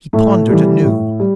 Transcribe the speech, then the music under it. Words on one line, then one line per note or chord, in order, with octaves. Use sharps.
He pondered anew.
A2 A3
E3 G3
A2
G3